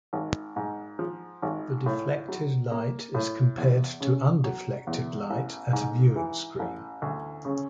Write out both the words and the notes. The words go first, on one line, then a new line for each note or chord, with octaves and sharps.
The deflected light is compared to undeflected light at a viewing screen.
G#1
G#2
F3
G#1
A2
F#3
A#3
A2
E2
C#3
F#3
E2
A1
G#2
E3
A1
D2
C#3